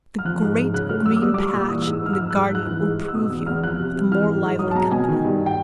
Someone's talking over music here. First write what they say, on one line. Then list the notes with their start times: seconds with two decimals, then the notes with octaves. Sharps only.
The great green patch in the garden will prove you with a more lively company.'
0.19 F6
0.25 F3 F#6
0.42 G#2
0.57 G#2
0.73 C#3 F#6
0.89 A3 F6
1.06 F#2 E6
1.16 D6
1.22 G3 D#6
1.34 D6
1.38 G3
1.46 C#6
1.54 A#2 E6
1.70 E3 D#6
1.82 E6
1.87 G#2
2.02 G#2 F6
2.13 E6
2.18 F3 F6
2.31 F#6
2.34 G#2
2.42 F6
2.51 G#2 F#6
2.67 E3
2.83 G#2
2.99 G#2
3.08 E6
3.15 B2 D#6
3.30 E2 E6
3.46 E2 F6
3.63 F3 F#6
3.80 C3
3.95 C3
4.11 E3 F6
4.27 G#2
4.44 G#2
4.59 F#3 D#6
4.71 A5
4.75 B2 A#5
4.92 B2 G#5
5.08 D#3
5.25 G2
5.46 G5